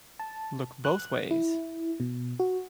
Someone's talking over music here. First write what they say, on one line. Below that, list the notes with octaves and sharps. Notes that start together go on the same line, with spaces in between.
Look both ways.
A5
F#6
E4
B2
F#4